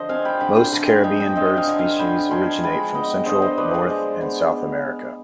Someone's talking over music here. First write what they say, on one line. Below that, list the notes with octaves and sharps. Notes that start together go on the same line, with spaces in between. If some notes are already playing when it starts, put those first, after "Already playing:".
Most Caribbean bird species originate from Central, North and South America.
Already playing: D3 F3 C5 D#5
C4 F5 G#5
G5 B5
D3 G5 B5
G#5 C6
D3 G5 B5
F5 G#5
F3 D#5 G5
D#5 G5
C4 D#5 G5
F5 G#5
D3
F5 G#5
D3 G5 B5
F3 G#5 C6
G#3 G5 B5
B3 D#5 G5
D3 C5 D#5
C5 D#5
F3 B4 D5
G#4 C5
G#3
B3